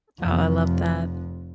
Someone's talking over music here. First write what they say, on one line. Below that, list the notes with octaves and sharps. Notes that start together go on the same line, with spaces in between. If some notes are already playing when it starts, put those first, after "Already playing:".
Oh, I love that.
F1 F2